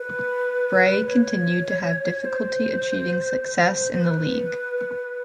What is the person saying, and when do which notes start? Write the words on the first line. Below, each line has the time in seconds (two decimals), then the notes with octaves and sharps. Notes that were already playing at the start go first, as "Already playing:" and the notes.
Bray continued to have difficulty achieving success in the league.
Already playing: B4
1.07 C#5
2.25 C5
3.92 C5
4.01 B4